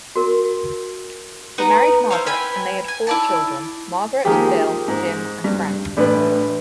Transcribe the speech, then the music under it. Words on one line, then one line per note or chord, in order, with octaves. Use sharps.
He married Margaret and they had four children Margaret, Bill, Jim and Frank.
F#4 A#4
B3 D#4 B4 A#5
E4 C5 C#5 F5
B4 G5 G#5 B5
G#5
E4 D5 A5
D#3 F3 G#3 A#3 G4 G#4
G#2
G2
A1 A2 D4 B4